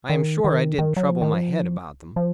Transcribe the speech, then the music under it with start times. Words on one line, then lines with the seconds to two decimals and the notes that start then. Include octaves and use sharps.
I am sure I did trouble my head about them.
0.09 D#3
0.44 D#3
0.78 D#3
0.96 F#3
1.08 F3
1.22 D#3
1.34 F3
2.16 F3